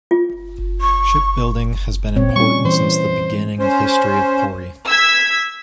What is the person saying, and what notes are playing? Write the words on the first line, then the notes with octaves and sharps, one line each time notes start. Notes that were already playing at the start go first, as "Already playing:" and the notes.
Ship building has been important since the beginning of history of Pori.
F4
C#6
A#2 C4 C#5
G3 C#4 C#6
E3 C5
C#4 C5
E6 G#6 B6